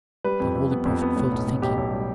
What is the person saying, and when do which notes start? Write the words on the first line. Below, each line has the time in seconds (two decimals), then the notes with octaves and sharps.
The holy prophet fell to thinking.
0.24 G3 B4
0.40 F2
0.55 F2
0.71 B3
0.85 F2
1.02 B3
1.16 A2
1.32 B1
1.47 A2
1.62 B1 G4
1.77 B1
1.93 G3